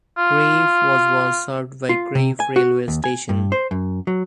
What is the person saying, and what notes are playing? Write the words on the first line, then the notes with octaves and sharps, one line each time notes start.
Crieff was once served by Crieff railway station.
F4
F4
C3
G#5
F#4
D#2
G#5
G2
C5
F#2
F#3